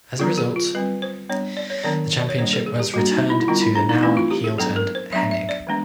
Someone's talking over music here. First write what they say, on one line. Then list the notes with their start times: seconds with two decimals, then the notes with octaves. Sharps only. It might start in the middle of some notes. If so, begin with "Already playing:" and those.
As a result, the championship was returned to the now heel-turned Hennig.
0.19 D3 F#3 B3 F4
0.38 G#4
0.56 F4
0.75 G3 C4 B4
1.02 C5
1.29 G3 B3 D4 C#5
1.57 D5
1.70 C#5
1.83 D#3 F#3 B3 D4 D5
2.18 D5
2.29 C#5
2.38 G3 A#3 D4 C5
2.53 A4
2.66 G#4
2.80 G4
2.94 G3 A#3 D4 F#4
3.12 D#4
3.30 E4
3.40 E4
3.48 D3 G3 B3 D4 F4
3.62 E4
3.75 D4
3.89 D#4
4.02 E3 A3 C4 E4
4.17 F4
4.31 G4
4.44 G#4
4.58 F#3 B3 D4 A4
4.76 A#4
4.95 C5
5.13 F#3 B3 D4 E5
5.31 E5
5.49 D5
5.67 E3 G#3 B3 D4